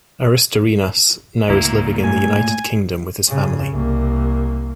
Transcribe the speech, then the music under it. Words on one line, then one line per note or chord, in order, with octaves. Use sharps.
Aristorenas now is living in the United Kingdom with his family.
C#2 A2 A#3 E4 A#5
G#2 A3 G#5
G2 C#3
C2 A#3